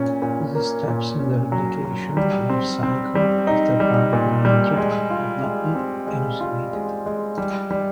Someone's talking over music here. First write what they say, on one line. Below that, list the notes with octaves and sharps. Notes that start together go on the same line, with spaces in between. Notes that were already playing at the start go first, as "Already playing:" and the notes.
The steps in the replication lifecycle after particle entry have not be elucidated.
Already playing: A#2 C#4
A#2
A#3
A#2
C#4
F#3
F#3
G3
C4
C4
G3
D#4
G3
A#2
G3
G#3
F4
G#3
C4
G#3
F4
G#3
G#3
G3
G3